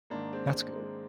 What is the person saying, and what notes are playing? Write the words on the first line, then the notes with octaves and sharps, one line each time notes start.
That's good.
G#2 D#3 A#3 D4
G#3 C4
G#3 C4
G#3